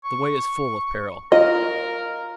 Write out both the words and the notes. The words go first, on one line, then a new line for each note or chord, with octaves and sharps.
The way is full of peril.
C#6
F4 A#4 D#5